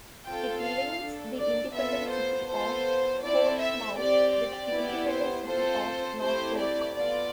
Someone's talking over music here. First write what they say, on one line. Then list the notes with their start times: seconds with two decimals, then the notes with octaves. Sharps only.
It links the independent City of Portsmouth with the independent City of Norfolk.
0.25 C4 F4 A4 G5
0.62 F5
0.99 D4 A4
1.37 D5
1.74 B3 F4 A4 E5
2.11 C5
2.48 B3 F4 A4 C5
3.23 C4 E4 A4 D5
3.60 E5
3.97 C4 G4 D5
4.35 D5
4.71 B3 E4 G4
5.09 C5
5.46 C4 F4 A4 C5
6.20 A3 C4 E4 G4 C5
6.58 D5
6.95 B3 F4 A4 D5